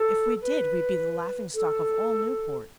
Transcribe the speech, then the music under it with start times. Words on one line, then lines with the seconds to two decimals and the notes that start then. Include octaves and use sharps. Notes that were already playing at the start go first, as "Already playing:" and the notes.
If we did we'd be the laughing-stock of all Newport.
Already playing: A4
0.41 B4
1.54 A4